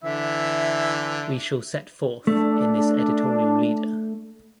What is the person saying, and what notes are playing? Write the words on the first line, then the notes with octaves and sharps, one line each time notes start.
We shall set forth in this editorial leader.
D3 E3 E5
A3 D4